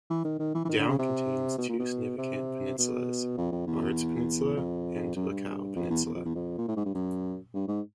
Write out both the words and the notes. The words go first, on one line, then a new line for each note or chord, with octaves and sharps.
Down contains two significant peninsulas: Ards Peninsula and Lecale peninsula.
E3
D#3
D#3
E3
E3
D#3
D3
C#3
C3
B2
A#2
B2
C3
B2
F2
F2
E2
F2
F#2
G2
F2
E2
E2
F2
E2
F2
A#2
A2
G#2
G2
F#2
G2
G#2